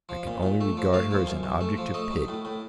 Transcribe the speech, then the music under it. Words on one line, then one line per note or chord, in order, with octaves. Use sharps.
I can only regard her as an object of pity!
F3
A#2
A#2
A3
F3
A3 F5
F3
F#2
F#2
A3
F3
A3 D#5
F#3
A2
A2